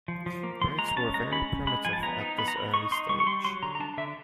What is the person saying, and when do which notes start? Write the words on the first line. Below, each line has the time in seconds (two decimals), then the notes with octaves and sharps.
Brakes were very primitive at this early stage.
0.08 F3
0.26 F3
0.43 A#3
0.61 F3 C6
0.78 G#3 A#5
0.89 A#5
0.97 C#4 A5
1.14 G#3 A#5
1.32 C#4 B5
1.50 C#4
1.67 G#3 B5
1.85 F3 G#5
1.93 A5
2.03 B3 A#5
2.21 D#4
2.38 B3 B5
2.48 A#5
2.55 B3 B5
2.74 D#4 C#6
2.91 D#4 C6
3.09 G3 C#6
3.20 C#6
3.27 G3 C6
3.45 F#3 C6
3.63 D3 A#5
3.75 A#5
3.80 D4 A5
3.97 D3 E5